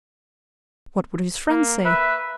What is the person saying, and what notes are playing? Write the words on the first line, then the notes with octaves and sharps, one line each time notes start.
What would his friends say?
A#3
B4 E5